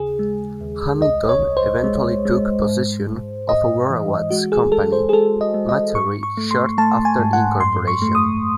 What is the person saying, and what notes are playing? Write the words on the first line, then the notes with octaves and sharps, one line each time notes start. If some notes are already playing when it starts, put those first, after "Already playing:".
Hamilton eventually took possession of Aurora Watch Company's machinery shortly after incorporation.
Already playing: D#2 C#3 G#4
G#3
D#2
C2 D#5
C#5
C2
C5
G#3
G#3
G#2
G#2
G#2 D#5
E3
G#3 F#4
G#4
G#3 A4
C5
G#4
G#3 A4
D#5
G#3
D#5
G#2 C#6
C#6
A3
C6
A3 A5
G#5
G#2
F#5
F#2 C6
C#6
A3
D#6